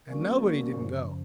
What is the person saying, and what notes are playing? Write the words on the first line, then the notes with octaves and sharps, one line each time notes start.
And nobody didn't go.
D#3 G3 A#3 C#4 F#4
F#2 C#3 F3